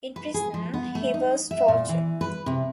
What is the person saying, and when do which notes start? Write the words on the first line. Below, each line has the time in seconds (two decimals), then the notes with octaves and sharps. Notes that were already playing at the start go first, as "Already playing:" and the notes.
In prison, he was tortured.
0.16 B4
0.34 G#4
0.54 F3
0.74 B3
0.95 A3
1.14 D#4
1.51 E5
1.68 A#2
1.89 E3
2.21 B4
2.46 C3